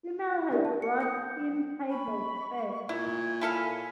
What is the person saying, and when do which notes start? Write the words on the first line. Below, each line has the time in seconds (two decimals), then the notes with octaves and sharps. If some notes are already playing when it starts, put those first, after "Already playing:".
Female has broad hind tibial spur.
0.51 D4 E4 G4 A#4 D5 E5
0.65 A5
0.82 C#7
1.01 G5 D#6 G6 C#7
1.89 B5 C#6
2.89 A#2 E4 G#6
3.41 E4 A4 C#5 F5 G#5 B5 B6